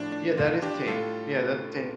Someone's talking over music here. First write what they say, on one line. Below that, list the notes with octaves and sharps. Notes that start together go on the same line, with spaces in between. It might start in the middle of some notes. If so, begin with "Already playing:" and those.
Yeah, that is tame. Yeah, that's tame.
Already playing: A2 F3 D4
D4
F4
D4 G4
A2 G3 F4 A4